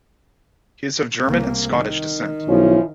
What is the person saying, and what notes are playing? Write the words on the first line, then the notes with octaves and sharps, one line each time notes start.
He is of German and Scottish descent.
C2 A#3
D#3
B1 F3 C#4 E4